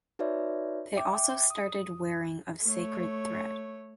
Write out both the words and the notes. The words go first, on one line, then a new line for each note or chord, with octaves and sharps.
They also started wearing of Sacred thread.
D#4 F#4 B4 C#5 D5 E5
E5 G5 D6
D#6
A3 C#5